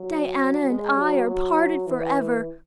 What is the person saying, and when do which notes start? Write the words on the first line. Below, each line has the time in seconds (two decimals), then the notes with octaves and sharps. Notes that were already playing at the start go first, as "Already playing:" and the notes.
Diana and I are parted forever.
Already playing: F#3
0.70 G#3
0.98 F#3
1.28 F#3
1.87 E3